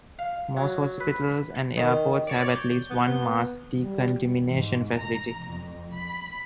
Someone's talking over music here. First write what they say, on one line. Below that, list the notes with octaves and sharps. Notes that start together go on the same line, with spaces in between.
Most hospitals and airports have at least one mass decontamination facility.
F5
F#3
B4
D#3
C#5 D5
G6
B3
G3
G#2
A#5
F2
B5